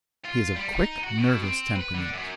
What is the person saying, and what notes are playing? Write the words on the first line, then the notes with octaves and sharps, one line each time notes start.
He is of quick, nervous temperament.
F4
G3
D#4
F#4
B2
C4
B4
D3
F#2